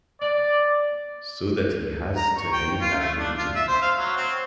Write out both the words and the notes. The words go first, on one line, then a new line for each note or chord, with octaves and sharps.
So that he has to hide after eating.
D5
A#5
C#6
G5
F4
A3
D4
F4
E5
C5
F5
F#3
C4